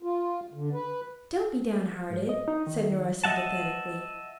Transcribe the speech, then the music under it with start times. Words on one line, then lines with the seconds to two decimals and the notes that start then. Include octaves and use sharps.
"Don't be down-hearted," said Nora sympathetically.
0.03 F4
0.53 D3
0.73 B4
2.10 G#2
2.29 D#5
2.48 D#4
2.67 D#3
3.24 D#5 E5 F#5 A5